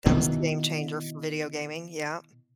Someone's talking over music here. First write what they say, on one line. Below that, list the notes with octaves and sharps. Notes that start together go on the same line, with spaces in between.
That was the game changer for video gaming, yup.
B2 D#3 E3